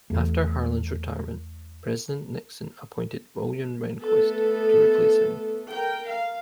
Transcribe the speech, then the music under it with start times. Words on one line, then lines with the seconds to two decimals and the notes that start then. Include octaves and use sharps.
After Harlan's retirement, President Nixon appointed William Rehnquist to replace him.
0.10 E2 A3
3.99 A3 B3 A4
5.71 A#4 G5
6.09 F5